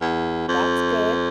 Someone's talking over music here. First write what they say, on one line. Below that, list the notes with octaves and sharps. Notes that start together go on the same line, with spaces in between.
That's good.
E2
F2